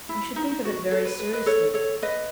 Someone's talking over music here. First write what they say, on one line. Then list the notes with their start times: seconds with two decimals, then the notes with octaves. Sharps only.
You should think of it very seriously.
0.09 E4
0.36 D#4
0.51 D#4
0.65 F#4
0.91 A4
1.05 B4
1.19 B4
1.33 B4 D#5
1.46 A4 C#5
1.74 A4 C#5
2.02 B4 D#5